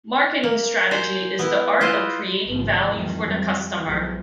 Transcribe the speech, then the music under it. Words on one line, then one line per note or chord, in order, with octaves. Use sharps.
Marketing strategy is the art of creating value for the customer.
A#3
C5 G#5 A#5
B3 E4
E4 F4 B4 C5 D#5
A1 G#2 C#3 F3
F2 A2 D#3 E3 F#3 G#3
F2 G3
B1 E2 E3 F3 G#3